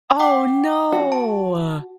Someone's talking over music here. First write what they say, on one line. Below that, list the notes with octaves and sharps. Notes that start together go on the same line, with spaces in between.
Oh, no.
F#5 G5 D6
F#4
A5